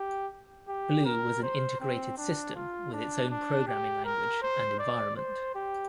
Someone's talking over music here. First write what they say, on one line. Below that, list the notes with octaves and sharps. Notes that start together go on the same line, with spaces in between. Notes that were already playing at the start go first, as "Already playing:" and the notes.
Blue was an integrated system with its own programming language and environment.
Already playing: G4
G4
A#4
C5
C4
D4
F4
D4
D4
G4
A#4
C5
D5
C5
G4